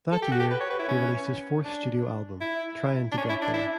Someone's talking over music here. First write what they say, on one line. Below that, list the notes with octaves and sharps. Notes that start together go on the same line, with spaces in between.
That year, he released his fourth studio album, "Tryin' to Get There".
A4
G4
F#4
G4
B4
C#5
B4
E4
C#4
D4
E4
D4
C#4
E4
D4
E4